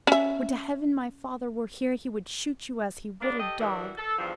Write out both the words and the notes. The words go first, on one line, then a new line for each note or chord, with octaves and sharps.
Would to heaven my father were here, he would shoot you as he would a dog!
C#4 E5
C#3 A#3 B3 D4
G4 A4 D#5
E3 G3 D4 F#4 A#4
A4
E2 G2 F3